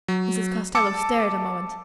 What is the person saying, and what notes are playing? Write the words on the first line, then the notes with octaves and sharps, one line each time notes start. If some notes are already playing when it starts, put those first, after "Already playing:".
Mrs. Costello stared a moment.
F#3
A5 D6 E6 C#7